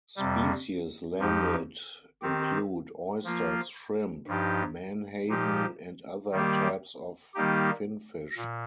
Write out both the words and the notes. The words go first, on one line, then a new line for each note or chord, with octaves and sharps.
Species landed include oysters, shrimp, menhaden, and other types of fin fish.
F2 C3 G3
F2 F3 D#4 G4
D#3 C4 G4
F3 A#3 F4
G2 F3 D#4 G4
A#2 F3 D#4 G4
D#3 G3 A#3 G4
D#3 G3 A#3 D#4 G4
A#2